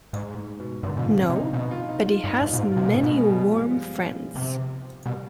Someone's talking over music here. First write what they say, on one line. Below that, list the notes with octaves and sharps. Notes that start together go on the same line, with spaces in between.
No; but he has many warm friends.
G#2
G#2
B2
G2 D3
B2 F3
G#2
C4
C3
D#4
B2 D#4
F4
D#4
F4
G2 D#4
G#2
F4
B2
G#2
F4
C3
B2
G#2 B3
B2
G#3
G3
F3
F3
C3
B2 G3